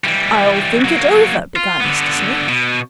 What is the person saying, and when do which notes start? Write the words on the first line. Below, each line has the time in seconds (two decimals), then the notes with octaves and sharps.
'I'll think it over--' began Mr Smith.
0.04 E3 G3
0.84 F#3 A#3
1.56 F4
1.80 D3 B3
2.48 B2